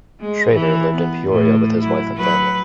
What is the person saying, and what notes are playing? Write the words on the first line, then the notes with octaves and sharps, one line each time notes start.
Schraeder lived in Peoria with his wife and family.
G#3
E3
B3
A2
F#3 E4
F#3 B4